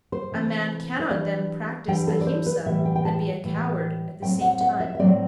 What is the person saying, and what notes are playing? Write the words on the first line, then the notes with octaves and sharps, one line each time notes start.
A man cannot then practice Ahimsa and be a coward at the same time.
C5
C3 E3 A3 C4
C5
E3 G3 D4 D5
E3 G3 D4 G5
A4
D5
C5
B4
A2 E3 G3 E5
G5
G5
A5
A2 E3 G3
A2 F#3 C4 G5
F#5
F#5
E5
E5
A2 F#3 C4 D5